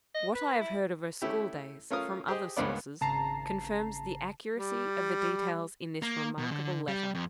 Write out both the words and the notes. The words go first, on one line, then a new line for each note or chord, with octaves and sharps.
What I have heard of her school days from other sources, confirms the accuracy of the details in this remarkable letter.
D#5
B4
E4
A3 C#4 E4 G4
A3 C#4 F4 A#4 F5 D#6
G4 G#4 C5 D#5
C#2 G2 A#3 B3 C5 D5
G#1 C#3 A5 A#5 C7
G3
A#3
B2
D3
G3
F2